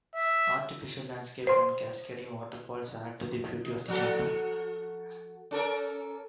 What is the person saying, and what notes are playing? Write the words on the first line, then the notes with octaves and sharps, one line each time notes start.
Artificial landscape and cascading waterfalls add to the beauty of the temple.
E5
C5 C6
F3 F#4 A4
C#4 A4 A#4